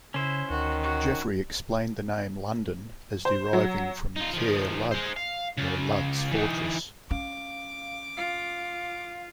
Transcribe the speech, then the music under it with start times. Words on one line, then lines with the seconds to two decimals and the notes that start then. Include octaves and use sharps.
Geoffrey explained the name "London" as deriving from "Caer Lud", or Lud's Fortress.
0.14 C#3 C#4 E4 C5
0.50 D2 D#3 F#4
0.83 F#4
3.25 C5
3.53 F#3
4.16 D#4 F4
4.33 D#3 F3
4.91 G#4 C5
5.17 F5
5.58 C#3 F4
6.32 E3 D#4
7.11 C#4 F5 D6
8.17 F4 F5